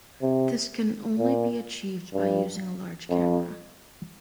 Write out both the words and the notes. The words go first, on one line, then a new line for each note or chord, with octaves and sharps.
This can only be achieved by using a large camera.
C3
A#2
G2
F2